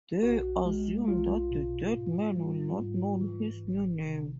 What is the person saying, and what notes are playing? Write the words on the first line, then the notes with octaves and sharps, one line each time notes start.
They assume that the dead man will not know his new name.
B1 F#4
G#3
B1 F4
B2
G#2
G3
G#2
E3
G1
C3